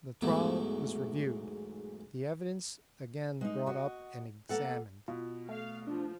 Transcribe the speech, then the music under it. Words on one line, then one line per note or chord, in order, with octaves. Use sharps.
The trial was reviewed; the evidence again brought up and examined.
B1 E2 G#2 A3
G#3 D#4
F#4 D#5
A#3 A4 F#5
B2 F4
A3 F5
F3 D4